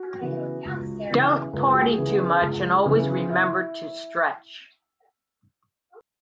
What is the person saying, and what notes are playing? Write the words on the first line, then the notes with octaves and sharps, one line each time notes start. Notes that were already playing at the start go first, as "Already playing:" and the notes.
Don't party too much and always remember to stretch.
Already playing: F#4
C#3 E3 B3
C#2
C#3 E3 B3
C#2 B4
G#4
F#4
G#4
C#3 E3 B3
C#2
C#3 E3 B3
E4